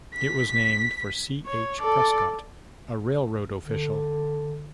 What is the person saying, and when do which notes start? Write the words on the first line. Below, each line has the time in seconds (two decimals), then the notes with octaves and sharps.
It was named for C. H. Prescott, a railroad official.
0.15 B6
1.46 C#5
1.80 A4 D5
3.61 D3